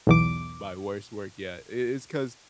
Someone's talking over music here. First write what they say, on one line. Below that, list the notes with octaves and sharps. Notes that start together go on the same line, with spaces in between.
My worst work yet, i it's 'cause
B1 E2 D6